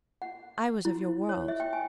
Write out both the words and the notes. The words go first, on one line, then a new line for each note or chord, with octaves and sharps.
I was of your world.
F#5
E4
C#5
E5
G5
G#5